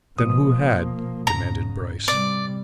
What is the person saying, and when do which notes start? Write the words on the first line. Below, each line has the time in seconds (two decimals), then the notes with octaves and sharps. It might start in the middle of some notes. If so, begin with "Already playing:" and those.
"Then who had?" demanded Bryce.
0.18 B2 F3 A#3 D#6
1.27 G#2 C#3 A#5
2.08 C3 G3 D5